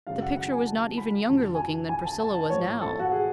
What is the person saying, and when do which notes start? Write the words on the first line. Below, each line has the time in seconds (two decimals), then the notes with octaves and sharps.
The picture was not even younger-looking than Priscilla was now.
0.07 F#2 C#3 G#3 F5
0.22 F#5
0.37 F#5
0.52 G#5
0.68 A5
0.97 B5
1.28 F1 F2 D3 F#3 A5
1.55 G#5
1.59 A5
1.89 G#5
2.05 A5
2.20 A5
2.35 A5
2.50 A1 G#2 F3 C#5
2.81 A4
2.99 F#4
3.12 G#4